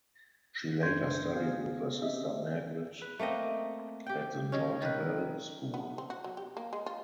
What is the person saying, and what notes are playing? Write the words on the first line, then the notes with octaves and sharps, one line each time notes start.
She later studied with her sister Margaret at the George Bell School.
F#2 D4 C6 G6 G#6
B3 F#4 G#4 C5 F5
C4 C#4 G4 D#5 E5
B4
A3 A#3 C4 D#5
G4 G5
G#3 C#4
D#3 B4
B3
C4
F#4
F#3
G4
A#3
G#3
F4